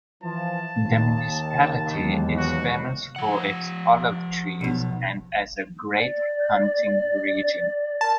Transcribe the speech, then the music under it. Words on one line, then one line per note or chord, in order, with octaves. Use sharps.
The municipality is famous for its olive trees and as a great hunting region.
E3 F3 A5
D#2
E2 F#3 G#3
F#4
F3 F#5
B1 B2
D5
A#4 A5